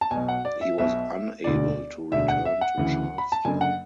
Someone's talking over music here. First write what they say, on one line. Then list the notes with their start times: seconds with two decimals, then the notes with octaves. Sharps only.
He was unable to return to Charleston.
0.01 A5
0.11 B1 B2 G#5
0.28 F#5
0.45 D5
0.61 E5
0.78 B1 B2 E5
1.44 E1 D2 D3 D5
2.11 E1 D2 D3 E5
2.28 F#5
2.45 E5
2.61 F#5
2.78 D2 C#3 E3
3.18 B5
3.32 A5
3.45 F#1 F#2 D3 G#5
3.61 F#5